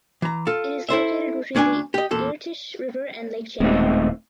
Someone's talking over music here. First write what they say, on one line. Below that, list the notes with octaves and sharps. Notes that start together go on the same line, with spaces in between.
It is located between the Irtysh River and Lake Chany.
E3 A#5
F4 A4
E4 A4 C5 E5
D2 C#4 D4 G5 G#5
G4 D#5
E2 A#2 A4
D#1 A2 G#3 B3 C4 D#4